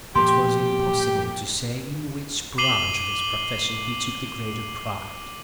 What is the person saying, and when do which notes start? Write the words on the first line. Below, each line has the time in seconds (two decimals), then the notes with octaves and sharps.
It was impossible to say in which branch of his profession he took the greater pride.
0.15 A#2 F3 G4 C6
2.58 D6 C7 D#7 F#7 G7